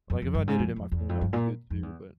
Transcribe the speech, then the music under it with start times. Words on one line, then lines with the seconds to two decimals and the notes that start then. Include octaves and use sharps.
Like, if I did it in my phone, that would be good too, but
0.10 F2
0.22 F2
0.35 G2
0.47 G#2
0.59 F2
0.76 F2
0.92 E2
1.09 F2
1.21 G2
1.33 A#2
1.70 F2
1.83 E2